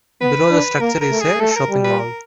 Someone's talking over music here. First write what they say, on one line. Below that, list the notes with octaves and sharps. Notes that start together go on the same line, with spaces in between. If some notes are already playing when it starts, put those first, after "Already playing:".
Below the structure is a shopping mall.
B3 B4
D4
A#3 A#4
A#4
A3
G#4
A3 A4
A4
A#4
G3
B4
A#4